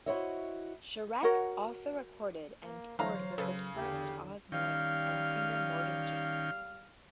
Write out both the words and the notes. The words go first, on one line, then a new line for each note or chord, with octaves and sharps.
Charette also recorded and toured with guitarist Oz Noy and singer Morgan James.
E4 F#4 C5 C#5 D#5 E5
F#4 A#4 C#5 F#5
A#3
D3 E3 F#3 C5 C#5 F5 A#5
C#3 F#3 A4 B4
E2 D3 G4
D#3 G3 C#4 F5 G5 F6